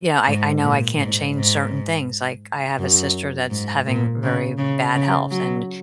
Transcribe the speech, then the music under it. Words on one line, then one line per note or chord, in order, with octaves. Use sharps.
you know, I I know I can't change certain things. Like, I have a sister that's having very bad health, and,
G#2
A#2
G#2
G#2
F#2
G#2
A#2
C#3
C#3
C#3
F#3